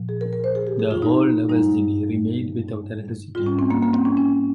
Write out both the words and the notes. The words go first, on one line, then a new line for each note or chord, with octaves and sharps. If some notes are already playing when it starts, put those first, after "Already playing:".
The whole Nevesinje remained without electricity.
Already playing: A#2 F3
G#4
A#4
A#4
C5
G#4
G4
G#4
F4
D#4
G2 G3 D#4
G#2 G3 F4
C#4
C4
A#3
A#3
C4
C#4
C#4